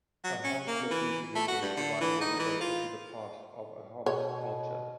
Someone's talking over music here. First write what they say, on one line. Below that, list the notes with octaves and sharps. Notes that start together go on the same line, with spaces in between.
Ahom's literary tradition provides a window into the past, of Ahom's culture.
F#3
C#4
A#3
E3
A3
F#4
G2
D3
E3
D#4
E3
F4
B2 C#5